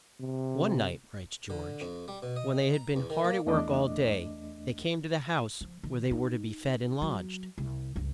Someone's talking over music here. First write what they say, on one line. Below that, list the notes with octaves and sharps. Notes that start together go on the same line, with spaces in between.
One night, writes George, when they had been hard at work all day, they came to the house where they were to be fed and lodged.
C3
D3
F2
G3
B2
D#5
A#5
E2
D#3
A#3
E2 A3 D4 D#5 D6
F3
D#3
D#4
F#3
C2
C#2 G2